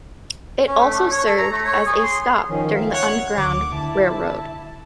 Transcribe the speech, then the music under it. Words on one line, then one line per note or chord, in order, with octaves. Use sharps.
It also served as a stop during the underground railroad.
C#4
A3
D4
C#5
A4
A#5
A3
C#5
G#4
C6
D#3 F3 C#4
A#4 E5 F5
G3 C#5 F#5
D2 D3 D6
D3 E4 A5